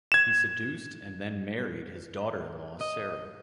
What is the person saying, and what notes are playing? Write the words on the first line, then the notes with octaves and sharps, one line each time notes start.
He seduced and then married his daughter-in-law, Sarah.
G#6 E7
D#5